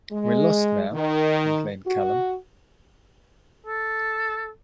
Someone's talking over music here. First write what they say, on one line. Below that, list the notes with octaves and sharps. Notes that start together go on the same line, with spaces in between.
"We're lost now," complained Callum.
G#3
D#3
F#4
A4